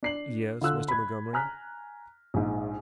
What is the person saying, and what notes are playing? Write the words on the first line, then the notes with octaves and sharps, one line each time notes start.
"Yes, Mr. Montgomery?"
D4 C7 F#7
D3 F4 E6 F#6
B5 G#6
G#5 A#5 F6 F#6 B6
A#1 G#2